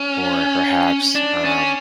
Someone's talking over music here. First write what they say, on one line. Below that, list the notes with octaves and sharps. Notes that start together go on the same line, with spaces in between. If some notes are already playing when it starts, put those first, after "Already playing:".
or perhaps, um
Already playing: C#4
D4
C#4